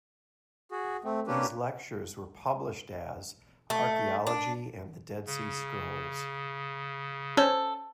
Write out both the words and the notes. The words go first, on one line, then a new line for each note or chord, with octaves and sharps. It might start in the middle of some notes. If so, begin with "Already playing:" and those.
These lectures were published as "Archaeology and the Dead Sea Scrolls".
F#4 G#4
A3 C4
A#3 C#4 D4 G4 B4
A3
D4
C#3
C#4 A4 C5 C#5